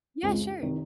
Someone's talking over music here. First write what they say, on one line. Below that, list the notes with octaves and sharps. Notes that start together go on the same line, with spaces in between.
Yeah, sure.
C#2 C#3 G#3 C4 F4
C3 D#3